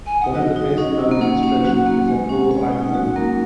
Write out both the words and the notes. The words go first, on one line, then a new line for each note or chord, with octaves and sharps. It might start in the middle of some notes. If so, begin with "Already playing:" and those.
One of the best known of his illustrations is "A Girl I Know".
G#5
D#4 F#5
F#3 F#4 D#5
D#4
D#4
C#4
A#3
C#4 F#5
C#4
F#3 F#4
A#3
G#3 F#5
C#4
C#4
D#4
D#4
F#3 F#4
A#3 A#4